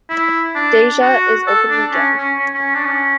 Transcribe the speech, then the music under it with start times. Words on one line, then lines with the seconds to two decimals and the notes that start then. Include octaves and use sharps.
Deja is openly gay.
0.10 E4
0.55 D4
1.01 F#4
1.47 A4
1.70 D4
1.93 C#4
2.16 C#4
2.39 C#4
2.54 C#4
2.75 D4
2.85 C#4